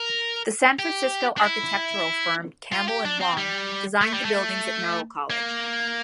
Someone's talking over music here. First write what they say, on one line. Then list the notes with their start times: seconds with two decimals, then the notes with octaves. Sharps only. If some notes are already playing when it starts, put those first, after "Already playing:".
The San Francisco architectural firm Campbell and Wong designed the buildings at Merrill College.
Already playing: A#4
0.79 G4
1.38 D4
1.44 E4
2.73 F4
2.88 G4
3.05 D4
3.21 C4
3.37 G3
4.01 A3
4.13 G3
4.25 A3
5.30 A#3